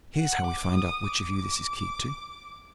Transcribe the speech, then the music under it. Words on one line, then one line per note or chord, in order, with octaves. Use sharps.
"Here's how we find out which of you this is keyed to."
F#5
D6
D#6
D6